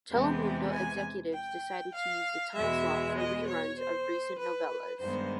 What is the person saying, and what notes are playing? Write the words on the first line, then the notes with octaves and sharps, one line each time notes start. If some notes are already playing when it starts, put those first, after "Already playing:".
Telemundo executives decided to use the time slot for reruns of recent Novelas.
E2 C3 E3 G#3 B3 G5
G#5
G5
F5
E2 B2 G#3 E5
D#5
C#5
C5
B4
G2 D#3 G#3 B3 C5